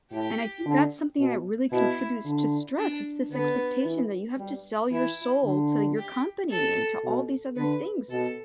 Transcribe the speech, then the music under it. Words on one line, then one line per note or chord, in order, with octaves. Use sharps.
and I think that's something that really contributes to stress, it's this expectation that you have to sell your soul to your company and to all these other things
A2 G4
D3
B2
B2 E4
D3
D4
D3 B3
E3
G3
E3 E4
D3
G4
A4
B2
D3 B4
B2 A4